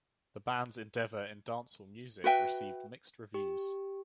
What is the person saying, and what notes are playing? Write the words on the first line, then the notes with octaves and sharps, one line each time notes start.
The band's endeavor in dancehall music received mixed reviews.
F#4 B4 E5 G5
G4